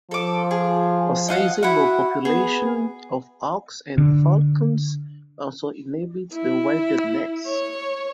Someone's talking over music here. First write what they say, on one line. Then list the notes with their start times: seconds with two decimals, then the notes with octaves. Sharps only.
A sizeable population of hawks and falcons also inhabit the wilderness.
0.11 F3 A4 D6
0.51 G#4
1.28 D#5 F5 F#5
1.63 E4 F#4 F#5
2.25 B3 G#4
3.98 D3
6.34 E4
7.47 C#5